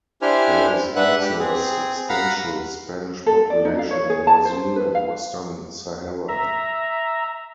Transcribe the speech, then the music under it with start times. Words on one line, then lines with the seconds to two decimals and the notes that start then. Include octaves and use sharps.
There is also a substantial Spanish population in Brazil and Western Sahara.
0.22 D4 E4 G4 C5 G#5 F6
0.96 D4 B4 E5 F#5 F#6
1.21 G4
1.39 C4 G#4
2.09 F5 F#5 A#5 B5
3.26 A4
3.50 D5
3.65 D#4
3.79 F5
3.91 C#5
4.10 G#4
4.27 A5
4.45 C5
4.76 B4
4.95 F5
6.28 E5 A#5